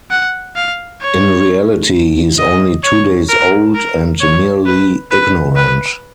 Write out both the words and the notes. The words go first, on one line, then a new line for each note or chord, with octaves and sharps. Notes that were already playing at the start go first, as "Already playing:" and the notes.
In reality, he is only two days old and merely ignorant.
F#5
F5
C#5
D#5
C#5
A#4
A#4
C#5
B4
B4
B4